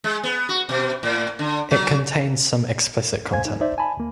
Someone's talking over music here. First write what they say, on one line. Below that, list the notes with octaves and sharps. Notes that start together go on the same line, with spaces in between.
It contains some explicit content.
G#3
B3
F#4
B2
A2
D3
F#3
D2 C5 F5 G#5 G#6
D#4
D#4 C5 D5 E5
G#5 A5 B5
D2 A#3